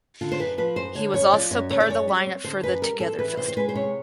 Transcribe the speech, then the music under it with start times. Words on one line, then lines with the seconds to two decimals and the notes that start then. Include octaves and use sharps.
He was also part of the lineup for the Together Festival.
0.21 D3 F4
0.32 C5
0.39 F#2 B4
0.58 F3 B4
0.76 F#2 C5
0.95 D3 C#5
1.14 F#2 C#5
1.33 F3 D5
1.51 F#2 C#5
1.70 D3 C#5
1.80 D5
1.88 F#2 C#5
2.08 G3 C#5
2.26 C4
2.44 D3 C5
2.63 F#2 B4
2.82 G3 A#4
3.00 C4 A4
3.19 E3 B4
3.37 C3 C5
3.48 C5
3.57 G#3 B4
3.69 C5
3.75 C3 C#5